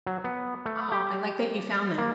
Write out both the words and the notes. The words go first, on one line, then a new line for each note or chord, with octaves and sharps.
Oh, I like that you found that.
F#3
B3
A3
G4
A#3